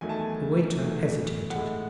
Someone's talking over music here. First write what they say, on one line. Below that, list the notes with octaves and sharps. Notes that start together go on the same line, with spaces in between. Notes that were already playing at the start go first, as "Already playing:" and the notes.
The waiter hesitated.
E2 D#3 F#3 A3 G#5
A5
G#5
E2 D#3 F#3 A3
A2 G#3 F#5